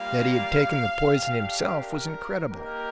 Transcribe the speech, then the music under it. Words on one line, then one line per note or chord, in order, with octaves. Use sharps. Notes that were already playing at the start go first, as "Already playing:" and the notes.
That he had taken the poison himself was incredible.
Already playing: G3 A#3 F4 F5
A3 D4 G4
A#4
A#3 D#4 G4 A#4